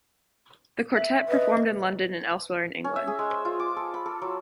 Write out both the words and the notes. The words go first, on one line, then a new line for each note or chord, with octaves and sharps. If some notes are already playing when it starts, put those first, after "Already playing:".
The quartet performed in London and elsewhere in England.
E5
B4 D#5 E5
C#4
E5
G#4
G#3
C5
F4
D6
A4
B5
A4
F#3